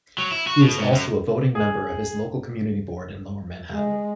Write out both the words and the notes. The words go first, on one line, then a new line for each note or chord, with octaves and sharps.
He is also a voting member of his local community board in lower Manhattan.
F#3
E4
F#4
B2
G#2
F#2
G#4
G#3